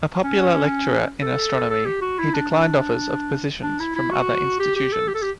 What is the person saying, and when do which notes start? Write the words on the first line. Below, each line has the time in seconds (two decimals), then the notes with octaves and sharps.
A popular lecturer in astronomy, he declined offers of positions from other institutions.
0.24 C#4
1.22 A4
1.70 A4
1.85 G4
2.01 F#4
2.19 E4
2.34 D4
2.50 D4
3.63 D4
3.80 E4
3.96 E4
4.11 F#4
4.59 G4
4.76 G4
4.92 A4
5.08 G4
5.15 A4
5.22 G4